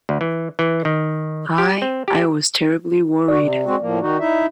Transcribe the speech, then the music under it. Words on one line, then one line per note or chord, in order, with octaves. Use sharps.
I—I was terribly worried.
D2
E3
E3
D#3
G4
C4
G4
F#4 D5
C3
G#3 C4 F#4
A2 F3 A#3
D#3 D#4 F#4
D#4 E4 E5